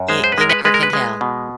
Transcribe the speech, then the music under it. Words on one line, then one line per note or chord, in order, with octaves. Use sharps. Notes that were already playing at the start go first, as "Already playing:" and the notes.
you you never can tell.
Already playing: F#2
G#3 C5
C5
B4
G#3 A#4
B4
G#3 B4
A#4
B4
G#3
B2